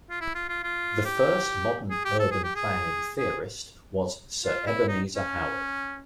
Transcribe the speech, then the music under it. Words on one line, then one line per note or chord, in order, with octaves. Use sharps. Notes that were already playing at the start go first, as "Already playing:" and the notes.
The first modern urban planning theorist was Sir Ebenezer Howard.
F4
E4
F4
F4
F4
G4
G#4
G4
A4
G#4
G4
G#4
G#4
F4
E4
D#4
C#4